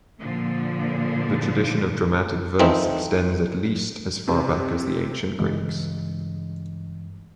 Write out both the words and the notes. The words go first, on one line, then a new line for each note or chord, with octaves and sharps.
The tradition of dramatic verse extends at least as far back as ancient Greece.
A#2 D3 F3
E3 F3 A3 C4 D#4
C3
G2 C#3 E3 G#3